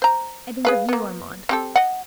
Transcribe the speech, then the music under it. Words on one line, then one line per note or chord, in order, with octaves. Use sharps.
I think of you, Armand.
C5 A#5
G#4 B4 F5
A#3 B3
C4 G4 A4
D#5 F#5